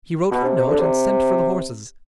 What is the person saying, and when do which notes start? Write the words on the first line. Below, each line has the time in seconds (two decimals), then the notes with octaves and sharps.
He wrote the note, and sent for the horses.
0.31 B2
0.43 C3
0.56 C3
0.67 D3
0.79 C3